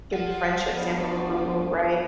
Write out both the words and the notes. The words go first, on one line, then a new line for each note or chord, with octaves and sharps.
Get the friendship stamp of approval. Right?
F3 F#5
B3 D4 F#4 D#5 F5